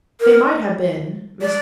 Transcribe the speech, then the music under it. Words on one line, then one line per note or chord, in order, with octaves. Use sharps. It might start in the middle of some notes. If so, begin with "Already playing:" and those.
They might have been--Mrs.
A#4
D5